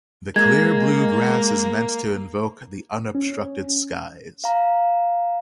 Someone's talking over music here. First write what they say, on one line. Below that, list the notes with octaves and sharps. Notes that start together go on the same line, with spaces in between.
The clear blue glass is meant to invoke the unobstructed skies.
G#3 A#3 G#6
C#4
F5 A#5